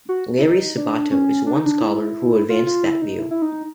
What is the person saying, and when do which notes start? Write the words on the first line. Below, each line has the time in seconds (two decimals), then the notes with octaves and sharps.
Larry Sabato is one scholar who advanced that view.
0.09 F#4
0.38 E4
0.42 D#4
0.77 D4
1.11 C#4
1.47 D4
1.56 D#4
1.66 D4
1.81 E4
2.50 F4
2.67 F4
2.84 E4
3.02 D#4
3.19 E4
3.31 E4
3.42 D#4